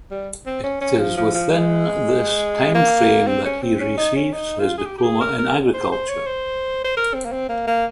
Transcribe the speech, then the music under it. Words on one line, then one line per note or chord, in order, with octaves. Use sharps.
It is within this time frame that he receives his diploma in agriculture.
G3
C4
C#4
C#4
F3
F3
F3
G#3
A#3
C4
C#4
C4
C#4
D#4
C#4
D#4
F4
G#4
G4
G4
G#4
A#4
A#4
C5
C5
C#5
C5
C5
A#4
C4
A#3
C4
A#3
A#3